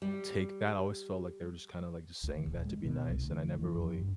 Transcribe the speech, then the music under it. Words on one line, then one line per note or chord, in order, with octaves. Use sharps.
take that, I always felt like they were just kinda, like, just saying that to be nice, and I never really
G3
D2
D#1
G#3
B2
C2
D2
E3
F2
G2